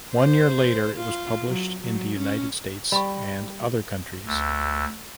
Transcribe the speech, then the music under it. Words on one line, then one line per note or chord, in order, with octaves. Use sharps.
One year later it was published in the United States and other countries.
C5
F4
F#3
F#3
C#4
G3 B5 C#6
D2